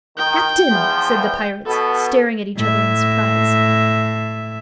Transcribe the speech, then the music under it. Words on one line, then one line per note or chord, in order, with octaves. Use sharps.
"The captain!" said the pirates, staring at each other in surprise.
D#3 G5
E2 F3
B2 B3 A4
A2 E5